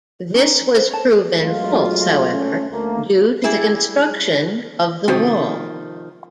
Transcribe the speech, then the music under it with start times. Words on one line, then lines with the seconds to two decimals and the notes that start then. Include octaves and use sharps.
This was proven false however due to the construction of the wall.
0.34 C#4 D#4
0.76 B4 C5
0.91 C#5 A5
1.35 F#2 F#3 G#3 A3 F4
2.32 A3 C#4
2.71 D2 A3 A#3
3.44 G3 E4 G#4
5.08 C3 D#3 F3 C4 F#4 C5